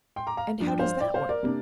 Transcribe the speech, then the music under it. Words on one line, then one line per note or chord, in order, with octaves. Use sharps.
"And how does that work?"
G5 C6
A#5 D6
F5 A#5
G2 F3 D4
G5
C5 F5
D5 G5
C5 F5
A#4 D5
C3 A#3 D4